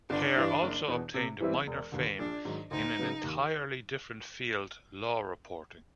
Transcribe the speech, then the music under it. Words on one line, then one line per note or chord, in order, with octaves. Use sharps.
Hare also obtained minor fame in an entirely different field: law reporting.
G1 D4
G2 E3
F#1
E2 B2
C3
E3 G3 C4 E4
E1
D#2 D3
A#1 D4
G#2 D#3 F#3
D2 D#4
C#3 F#3 B3
D#2